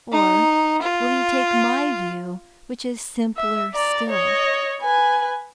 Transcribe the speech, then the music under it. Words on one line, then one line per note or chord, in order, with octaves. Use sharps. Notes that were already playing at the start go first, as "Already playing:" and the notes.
Or will you take my view, which is simpler still?
D#4
F4
E5
D5 A#5
C#5 D#5
B4 G#5